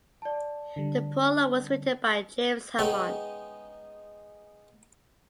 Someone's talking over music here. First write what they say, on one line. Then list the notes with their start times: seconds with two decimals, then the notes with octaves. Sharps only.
The prologue was written by James Hammond.
0.22 D5 A5
0.76 D3 G3
2.79 G#3 B3 C#4 D#4 D#5 G5